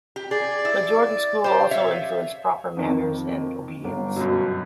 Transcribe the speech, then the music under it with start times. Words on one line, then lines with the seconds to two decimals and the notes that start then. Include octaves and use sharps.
The Jordan School also influenced proper manners and obedience.
0.16 G4
0.31 G#4 D5
0.65 E4
1.44 G4 C5
1.71 C#5 E5 F5
2.77 F2 D#3
3.84 G1
4.16 F#2 B2